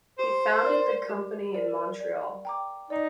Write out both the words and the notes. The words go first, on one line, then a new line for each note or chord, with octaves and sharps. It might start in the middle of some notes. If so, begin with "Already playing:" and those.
He founded the company in Montreal.
G4 C5
A#4 D5
G4
A#4 D5
D5
G5 A#5 D6
D#4 D5